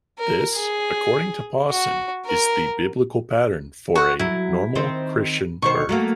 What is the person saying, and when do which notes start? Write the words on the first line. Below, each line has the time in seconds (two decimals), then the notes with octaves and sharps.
This, according to Pawson, is the biblical pattern for a "normal Christian birth".
0.18 A#4
0.55 G#4
1.72 F#4
2.26 A#4
3.95 F#4 F#5
4.19 F#3 E4 E5
4.75 D#3 C4 C5
5.62 B2 D#3 C5 C#6
5.89 F#3 A3 A#3